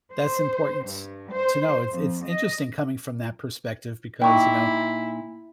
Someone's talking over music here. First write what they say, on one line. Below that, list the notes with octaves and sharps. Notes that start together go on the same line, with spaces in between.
that's important to know. It's it's interesting coming from that perspective because, you know,
C5
G2
C5
F2
D#5
A#2 D#4 E4 G5 C#6